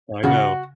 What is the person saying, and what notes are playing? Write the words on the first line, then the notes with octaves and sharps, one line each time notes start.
I know.
C#3 F#4